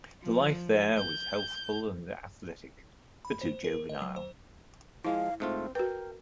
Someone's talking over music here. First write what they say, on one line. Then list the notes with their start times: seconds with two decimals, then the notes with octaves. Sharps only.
The life there was healthful and athletic, but too juvenile.
0.21 F3
0.98 G6
3.25 B5
3.42 C5
3.64 A#4
3.89 D#5
4.02 F#3
4.16 C5
5.05 F3 G#3 E4 F5
5.40 G#2 A3 C4 F4
5.75 F#4 A#4 B4 G5